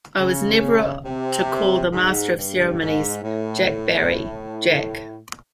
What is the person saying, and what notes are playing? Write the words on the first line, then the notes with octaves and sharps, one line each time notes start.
I was never to call the Master of Ceremonies, Jack Barry, Jack.
C#3
C3
G#2
G2
G#2
A2